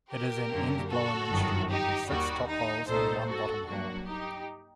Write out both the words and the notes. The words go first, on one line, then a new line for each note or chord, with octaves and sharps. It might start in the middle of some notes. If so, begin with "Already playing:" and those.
It is an end-blown instrument with six top holes and one bottom hole.
G4 A#4
F#2 D3 F#3 A#3
F#4 A4
G1 F#2 D#3
D#4 G4
D#2 D#3 G3 F#4
D#4
C2 A#2 A3 D#4 A4 C5
F#4 A4
G2 F#3 A#3 D4 F#4
D#4 G4